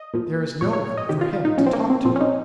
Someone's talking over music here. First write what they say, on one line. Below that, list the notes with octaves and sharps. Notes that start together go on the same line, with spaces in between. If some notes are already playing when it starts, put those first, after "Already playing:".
"There is no one for him to talk to."
Already playing: D#5
A#2 F3
A#2 F3 C#5
C#5
C#5
D#5
C3 D#3 G4
F4
F4
D#4
A#2 F3 C#4
C4
A#3
C4
A#2 F3 C4
C#4
D#4